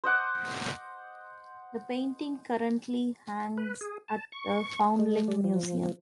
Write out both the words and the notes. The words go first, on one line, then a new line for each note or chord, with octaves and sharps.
The painting currently hangs at the Foundling Museum.
C5 D#5 F#5 D6
B4
G#4
A5
C#6
G#3
G3
F3